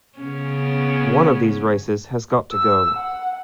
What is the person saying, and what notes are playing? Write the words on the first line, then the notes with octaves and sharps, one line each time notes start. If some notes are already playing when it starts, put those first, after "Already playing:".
One of these races has got to go.
C#3 B3 C#4
E6
F#5